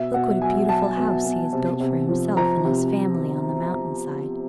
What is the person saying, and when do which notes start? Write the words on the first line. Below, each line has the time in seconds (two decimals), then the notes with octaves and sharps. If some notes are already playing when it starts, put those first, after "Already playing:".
Look what a beautiful house he has built for himself and his family on the mountain-side.
Already playing: B2 E5
0.14 B2 F#5
0.42 F#3 G#5
0.69 F#3 A5
0.97 B2
1.24 B2
1.53 C3
1.80 C3
2.09 F3
2.36 F3 A#5
2.64 C3